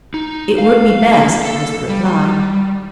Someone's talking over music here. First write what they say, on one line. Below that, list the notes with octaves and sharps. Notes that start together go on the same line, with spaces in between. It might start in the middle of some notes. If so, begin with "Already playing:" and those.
"It would be best," was the reply.
D#4
F5
A#3
A4
G3